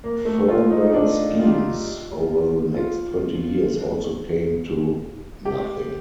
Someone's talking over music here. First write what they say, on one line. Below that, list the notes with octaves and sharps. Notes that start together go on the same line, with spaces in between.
Further schemes over the next twenty years also came to nothing.
A#3
A3
F4
D#4
D4
F4
G4
F4
F4
G4